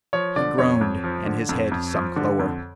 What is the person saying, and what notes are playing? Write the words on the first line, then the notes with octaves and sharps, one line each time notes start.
He groaned and his head sunk lower.
F3 C#5
D3 D5
F2 C#5
F2
F3
D3
F2
F2
F3
D3
F2